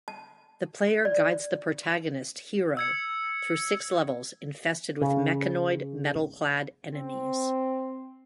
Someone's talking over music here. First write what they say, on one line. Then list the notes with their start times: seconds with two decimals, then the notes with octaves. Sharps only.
The player guides the protagonist, Hiro, through six levels infested with mechanoid, metal-clad enemies.
0.08 A5
1.05 D5
2.77 E6 G#6 C#7
5.02 C#3
6.92 C4